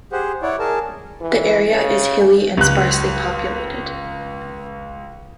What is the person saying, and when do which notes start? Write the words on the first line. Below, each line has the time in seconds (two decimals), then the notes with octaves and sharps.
The area is hilly and sparsely populated.
0.12 G4 G#4 C5 F#5
0.42 E4 C#5 D5 F#5
0.59 G#4 A#4 A5
1.21 E3
1.73 C#3
2.57 C#2 F#6